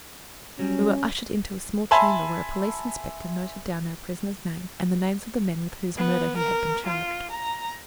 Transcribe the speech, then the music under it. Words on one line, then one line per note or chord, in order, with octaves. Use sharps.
We were ushered into a small chamber where a police Inspector noted down our prisoner's name and the names of the men with whose murder he had been charged.
F#3 G3 C#4
E5 G#5 A5 B5 C6
B3
A#4
F4
A#5